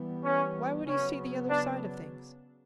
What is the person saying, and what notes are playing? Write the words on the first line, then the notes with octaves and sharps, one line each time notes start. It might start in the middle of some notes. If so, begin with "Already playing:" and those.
Why would he see the other side of things?
Already playing: E3 G3 B3
C#4
C#3 F#3 B3 C#4
D4